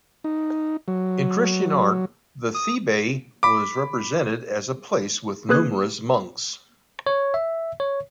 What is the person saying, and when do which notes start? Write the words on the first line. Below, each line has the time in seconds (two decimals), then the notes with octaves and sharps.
In Christian art, the Thebaid was represented as a place with numerous monks.
0.24 D#4
0.88 F#3
2.55 D#6
3.43 B5 D6
5.49 A#3 G#4 B4 D#6 F#6 G#6
7.07 C#5
7.34 E5
7.80 C#5